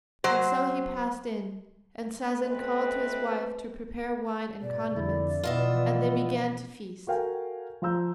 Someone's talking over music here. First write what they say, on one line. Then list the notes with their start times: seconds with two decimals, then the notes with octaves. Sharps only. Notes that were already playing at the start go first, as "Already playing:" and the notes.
And so he passed in, and Sazen called to his wife to prepare wine and condiments; and they began to feast.
0.24 F#3 C5
2.42 B2 A3 C4 B4
4.62 G#2 B2 D5
4.96 F2 D3 E4
5.44 B2 E3 F3 B3 F4 D#5 E5
7.07 F#4 A4 A#4 F5 G5 G#5
7.82 F3 F4 A#5 E6 G6